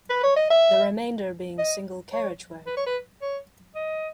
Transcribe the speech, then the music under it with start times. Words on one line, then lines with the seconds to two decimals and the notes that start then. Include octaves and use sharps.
The remainder being single carriageway.
0.09 B4
0.23 C#5
0.36 D#5
0.50 E5
1.58 D#5
2.13 C#5
2.66 B4
2.77 C#5
2.86 B4
3.21 C#5
3.75 D#5